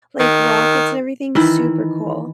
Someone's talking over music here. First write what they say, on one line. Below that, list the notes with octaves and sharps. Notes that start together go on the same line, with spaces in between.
like, rockets and everything. Super cool.
D#3
D#3 E3 E4